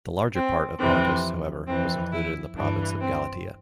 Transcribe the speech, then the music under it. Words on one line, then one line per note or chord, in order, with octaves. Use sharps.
The larger part of Pontus, however, was included in the province of Galatia.
C4
F2 C3 E3 C4
F2 E3 C4
E4
G2 E3 D4
C4